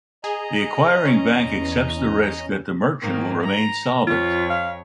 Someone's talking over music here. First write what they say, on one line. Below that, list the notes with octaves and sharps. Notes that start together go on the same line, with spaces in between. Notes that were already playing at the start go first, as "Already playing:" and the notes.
The acquiring bank accepts the risk that the merchant will remain solvent.
G#4 D#5 A#5
E2 C#4
G#2 D#3 A#3
A#5
F2 F4 C#5
F5